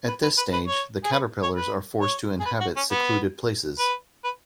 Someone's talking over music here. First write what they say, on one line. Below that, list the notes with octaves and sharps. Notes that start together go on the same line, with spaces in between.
At this stage, the caterpillars are forced to inhabit secluded places.
B4
B4
B4
B4
C#5
G#4
B4
C#5
B4
C#5
G#4
B4
F#4
C#4
B3
B4
B4